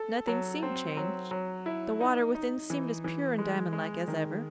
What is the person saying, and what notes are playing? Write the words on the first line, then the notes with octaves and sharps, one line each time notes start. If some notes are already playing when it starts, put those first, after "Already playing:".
Nothing seemed changed; the water within seemed as pure and diamond-like as ever.
Already playing: A4
F#3
C4
F#3
F#3
E4
D#4
D#4
E3
E3
G#3
G#3
D#3